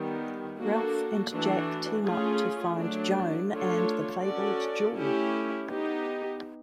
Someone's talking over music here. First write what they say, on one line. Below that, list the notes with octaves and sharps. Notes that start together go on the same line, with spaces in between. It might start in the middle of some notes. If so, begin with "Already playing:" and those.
Ralph and Jack team up to find Joan and the fabled jewel.
Already playing: D#3 G3 B3
A#3 D4 F#4 A4
E3 A3 D4 F#4
A3 C#4 F4 G#4
F#3 A3 D4
A3 D4 F4 A4 C#5
C#4 F#4 A4 D5
A3 C#4 E4 G4
B3 D#4 G4